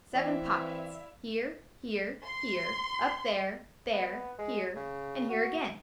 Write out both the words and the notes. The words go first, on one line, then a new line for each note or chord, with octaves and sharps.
Seven pockets: here, here, here, up there, there, here and here again.
E3 C4 E4 D5 E5 F5
C6
B3
G#3
C#3
F#4